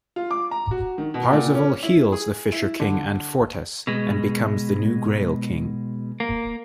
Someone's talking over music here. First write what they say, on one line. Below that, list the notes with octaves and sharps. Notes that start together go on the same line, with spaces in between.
Parzival heals the Fisher King Anfortas and becomes the new Grail King.
F4
D6
A#5
F#4
D#3
B2
A#2
C#4
E4
G#4
E4
D3
B2 G#3
A#3